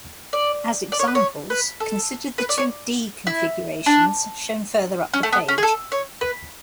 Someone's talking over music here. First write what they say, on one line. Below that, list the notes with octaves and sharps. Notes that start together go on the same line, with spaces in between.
As examples, consider the two "d" configurations shown further up the page.
D5
D5
C#5
B4
C#5
B4
A4
B4
D5
C#5
E4
D4
C#4
A3
B3
C#4
G#4
A4
C#5
B4